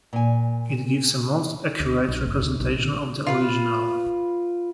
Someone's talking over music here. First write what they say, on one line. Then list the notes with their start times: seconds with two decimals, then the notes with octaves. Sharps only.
It gives a most accurate representation of the original.
0.13 A#2 G#5
1.80 D2
2.08 B1
2.25 F#1
2.42 D2
2.60 B1
2.75 A#1
3.27 F4 B4